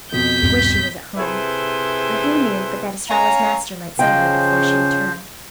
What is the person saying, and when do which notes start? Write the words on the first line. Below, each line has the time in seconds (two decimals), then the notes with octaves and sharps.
She wished she was at home, for who knew but that Estralla's master might sell her before she returned.
0.12 F2 B2 G6 B6
0.43 D#1 G2 C4
1.18 C3 E4 G#4 A4 B4 C5
3.09 C#4 C#5 F5 A#5
3.99 C#3 F3 C5 D#5 F5 G5